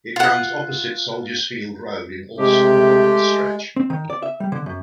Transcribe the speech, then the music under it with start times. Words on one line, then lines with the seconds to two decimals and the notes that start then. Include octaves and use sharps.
It runs opposite Soldiers Field Road in Allston along this stretch.
0.16 F4 F#5
2.38 C3 G#3 A3 G4
3.76 C4
3.90 D#3
4.10 D5
4.23 E5
4.40 G3
4.52 D3
4.66 F#2